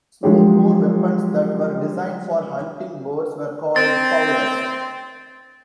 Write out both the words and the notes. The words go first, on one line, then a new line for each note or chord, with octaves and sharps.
Smoothbore weapons that were designed for hunting birds were called fowlers.
F3 F#3 G#3 D4 G4 C#5
C4 A6